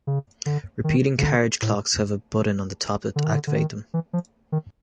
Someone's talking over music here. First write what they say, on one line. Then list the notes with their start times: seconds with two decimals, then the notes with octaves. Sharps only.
Repeating carriage clocks have a button on the top to activate them.
0.07 C#3
0.46 D3
0.84 D#3
1.18 C#3
1.23 D3
1.62 A2
3.16 D3
3.24 D#3
3.32 D3
3.47 D3
3.55 D#3
3.94 E3
4.13 F3
4.52 D#3